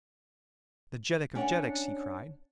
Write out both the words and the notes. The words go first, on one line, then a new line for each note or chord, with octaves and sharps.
"The Jeddak of Jeddaks!" he cried.
C#4 D4 C#5 F#5